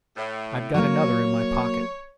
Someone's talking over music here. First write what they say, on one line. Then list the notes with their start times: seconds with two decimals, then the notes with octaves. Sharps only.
"I've got another in my pocket."
0.16 A2
0.74 F#3 A#3 C#5